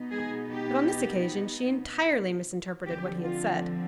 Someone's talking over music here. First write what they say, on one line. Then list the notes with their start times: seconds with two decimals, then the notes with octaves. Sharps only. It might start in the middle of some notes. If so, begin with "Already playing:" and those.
But on this occasion she entirely misinterpreted what he had said.
Already playing: B2 B3 D#4
0.11 G#3 G#4
0.51 G4
2.85 D3 F3 C4 G4
3.25 F4